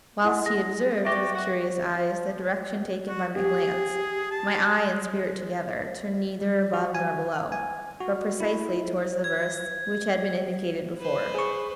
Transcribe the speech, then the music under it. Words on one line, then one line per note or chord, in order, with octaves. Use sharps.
Whilst he observed, with curious eyes, the direction taken by my glance, my eye and spirit together turned neither above nor below, but precisely towards the verse which had been indicated before.
E4 D#5 F#5
G#4 A#6
F#4 G4 D5 E5 A#6
F#4
F#4
G4 G#4
A5
G3
F#4
G#5
G#5
F#4
E4
G#6
B4 C5
G#4 C#6